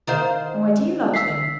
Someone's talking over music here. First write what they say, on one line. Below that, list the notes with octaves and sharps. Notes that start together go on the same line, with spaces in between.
"And where do you lodge, then?"
D#3 C5 F5
E6 B6 C7